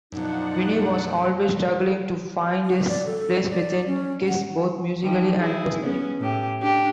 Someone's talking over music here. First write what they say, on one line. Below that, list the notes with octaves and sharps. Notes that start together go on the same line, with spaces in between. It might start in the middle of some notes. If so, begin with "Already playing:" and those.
Vinnie was always struggling to find his place within Kiss, both musically and personally.
F#2 B2 F3 D4 D#4 F#5
F#4
D5
A4
D5
C#4
F#5
D#3 F3 G3
E4 G#4
B3 C#4
A2 G4
D4 G4